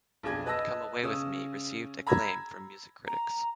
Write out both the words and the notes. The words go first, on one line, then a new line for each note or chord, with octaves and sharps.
"Come Away with Me" received acclaim from music critics.
B1 F2 D4 G#4 G#6
B4 D#5 A5 E6 A#6
C#3 C#4 D#6 E6
A#5 B5 E6 G#6 A#6
A#5